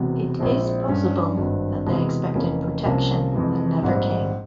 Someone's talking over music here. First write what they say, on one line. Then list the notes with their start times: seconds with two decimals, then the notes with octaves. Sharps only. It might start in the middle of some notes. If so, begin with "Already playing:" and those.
It is possible that they expected protection that never came.
Already playing: E1 E2 C3
0.39 A#1 A#2 G#3 C4 E4
0.88 G2 G3 C#4
1.37 G#1 G2 G3 C4
1.86 E1 E2 C3 E3 G#3
2.35 F1 E2 E3 A#3 C#4
2.84 C2 C3 F3 A#3 C#4
3.33 F2 C3 E3 G#3
3.82 A#1 G#2 G3 C4